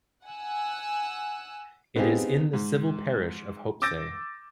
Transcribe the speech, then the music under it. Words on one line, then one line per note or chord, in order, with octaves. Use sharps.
It is in the civil parish of Hopesay.
F#5 G#5 E6 F#6
B3 C4 D#4 F4 G4 G#4
G#2
D6 E6 G6 A6 A#6 D7